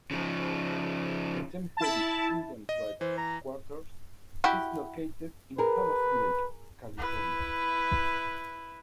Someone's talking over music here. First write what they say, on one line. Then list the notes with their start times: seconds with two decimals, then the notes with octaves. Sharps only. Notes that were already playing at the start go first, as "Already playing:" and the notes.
The Chemehuevi Indian Tribe's headquarters is located in Havasu Lake, California.
0.11 C#3 F3
1.77 E4 A5
2.69 D#5
3.01 E3 C5
3.17 A#5
4.44 E4 F#4 G4
5.58 G#4 A#4 B4
6.98 E4 B4